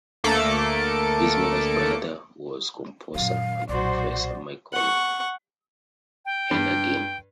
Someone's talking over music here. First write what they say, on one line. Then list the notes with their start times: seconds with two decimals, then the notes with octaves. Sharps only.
His mother's brother was composer and professor Michael Hennagin.
0.24 D2 A3 A#3 A4 D6 C#7
3.15 F#2 A#2 D#3 F5
3.69 B1 A#2 F#3 F#4 C5 D5
4.73 F#5 C#6
6.25 G5
6.51 G2